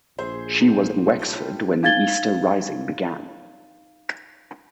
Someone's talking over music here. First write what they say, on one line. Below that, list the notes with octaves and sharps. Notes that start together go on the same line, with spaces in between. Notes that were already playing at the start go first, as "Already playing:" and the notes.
She was in Wexford when the Easter Rising began.
A#1 G#4 C5 E5
D#4
G3 F4 A4
D#4 F5 G#6 A6 G7